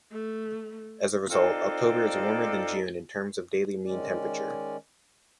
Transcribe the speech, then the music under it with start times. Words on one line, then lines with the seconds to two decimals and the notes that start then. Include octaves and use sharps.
As a result, October is warmer than June in terms of daily mean temperature.
0.11 A3
1.31 C4 D#4 F4 A4 D5
3.85 D#3 G#3 C#4 D5